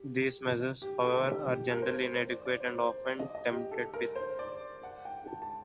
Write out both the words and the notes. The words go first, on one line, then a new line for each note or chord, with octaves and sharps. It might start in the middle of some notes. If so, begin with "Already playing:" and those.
These measures, however, are generally inadequate and often tampered with.
Already playing: G4
G4
A4
G4
G4
A#4
C5
A#4
C5
D5
D5
C5
C5
D5
D#5
D#5
G4
A4
A#4
C5
D5
F#5
G5
A5
A5